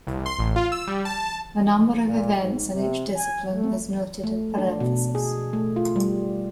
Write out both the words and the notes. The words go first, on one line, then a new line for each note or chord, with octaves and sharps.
The number of events in each discipline is noted in parentheses.
C2
C6
A1
F4
E6
G3
A5
A#2
G#2
C3
G#5
A3
A3
D4
B2
G#4
A3
F4
G3